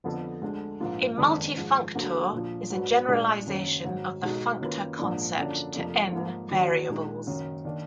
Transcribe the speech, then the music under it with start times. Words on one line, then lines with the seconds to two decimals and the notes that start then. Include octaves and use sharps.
A multifunctor is a generalization of the functor concept to "n" variables.
0.04 F2 D3 F3 B3
0.42 D2 D3 G#3
0.80 A#1 G#2 F3 A#3 F4
1.18 F#1 F2 D#3 G#3 D4
1.57 G#2 F3 G#3
1.95 D2 D3 F#3 A#3
2.32 A#1 A#2 F3
2.70 G#2 F#3 D4 F#4 B4
3.08 A#1 A#2 G#3 D4 G#4
3.47 F#1 F#2 D#3
3.84 G#2 D#3 F#3
4.22 B1 B2 G#3 D#4 F#4
4.60 F#2 D#3 A#3 F4 B4
4.98 A#1 G#2 F3 A#3 D4
5.37 F#2 D3 F3 A#3 D4
5.74 F1 F2 F3 A#3 D4
6.12 G#2 F3 A#3
6.51 D#2 D#3 F#3 D4 F#4
6.88 A#1 A#2 G#3 D#4
7.27 F#1 F#2 D#3
7.65 D#3 A#3 D4